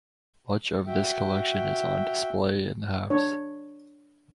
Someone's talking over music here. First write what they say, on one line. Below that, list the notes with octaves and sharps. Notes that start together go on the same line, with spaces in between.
Much of this collection is on display in the house.
F#4 E5 G5
D4 C#5